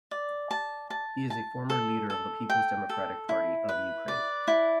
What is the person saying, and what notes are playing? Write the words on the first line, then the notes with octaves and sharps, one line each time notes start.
He is a former leader of the People's Democratic Party of Ukraine.
D5
A5
A5
A5
A4
A4
G5
A4
E4
B4
D5
E4